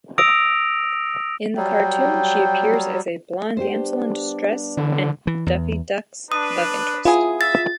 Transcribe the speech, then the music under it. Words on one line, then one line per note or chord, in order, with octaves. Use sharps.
In the cartoon, she appears as a blonde damsel-in-distress and Daffy Duck's love interest.
D#6 E6 A#6 D7 F7
F#3 G3 G5
G3 B3 D4 G4 C5
D3 E3 E4
E3
E2
D4 B4 D#6
B3 E4 F4 G#4
E5 A6